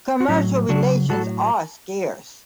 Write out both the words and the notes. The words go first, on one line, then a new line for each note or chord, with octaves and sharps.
Commercial relations are scarce.
F#4
A2 F#3 C#4 E4
C#3 F#3 D4 F#4
A2 F#3 F#4 A4